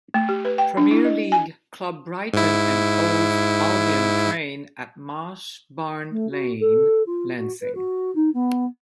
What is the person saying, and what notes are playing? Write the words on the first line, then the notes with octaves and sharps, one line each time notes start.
Premier League club Brighton and Hove Albion train at Mash Barn Lane, Lancing.
A3
G4
B4
G5
D4
E4
D#5
G#5
G#2 E4
A3
F#4
A4
F4
F#4
B4
F#4
D#4
B3